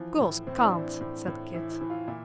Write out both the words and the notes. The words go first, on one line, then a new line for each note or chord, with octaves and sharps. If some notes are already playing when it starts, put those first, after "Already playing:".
"Girls can't," said Kit.
Already playing: E3 F3
A2
A2 C4
E4
D4
E3
A2
A2
E3 E4
E4
E3
F4
A#2 E4